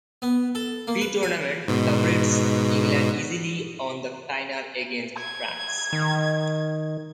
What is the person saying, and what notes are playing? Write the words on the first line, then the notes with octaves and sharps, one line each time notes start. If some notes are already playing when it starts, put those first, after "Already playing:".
Pre-tournament favourites England easily won the final against France.
B3
A4
A#3
B4
G#5
G#2 B2
G#6
D#3